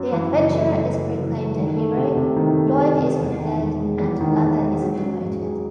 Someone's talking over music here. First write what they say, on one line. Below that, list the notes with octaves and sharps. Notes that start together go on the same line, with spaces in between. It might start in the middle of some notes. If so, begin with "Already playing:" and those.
The adventurer is proclaimed a hero, Floyd is repaired, and Blather is demoted.
Already playing: F#2
E3
F#1
A3
F#2
E3
F#1
A3
D#3
A3
C3
C3
D#3
A3
C3
C3
E2
D#3
E1
G#3
E2
D#3
E1
G#3
F#3
C#4
G#2
G#4